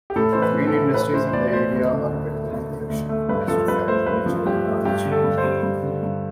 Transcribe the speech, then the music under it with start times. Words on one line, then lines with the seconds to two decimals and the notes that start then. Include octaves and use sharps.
Main industries in the area are petroleum production, forestry, agriculture, and ranching.
0.10 G4
0.16 A2 A4
0.33 E3 C5
0.42 B4
0.55 A2
0.67 A4
0.74 A3
0.94 A2 B4
1.13 E3 C5
1.28 C5
1.33 A2 D5
1.47 D5
1.52 A3 C5
1.72 D2
1.92 D3
2.11 D2
2.31 A3
2.50 D2
2.70 D3
2.90 D2
3.09 A3
3.29 G2 B4
3.48 F3 A4
3.68 G2 B4
3.87 A3 C5
4.06 G2 B4
4.26 F3
4.46 G2 G4
4.65 A3
4.85 G2 G4
5.05 D3
5.12 A4
5.24 G2
5.38 C5
5.44 G3
5.63 G2
5.83 D3
6.03 G2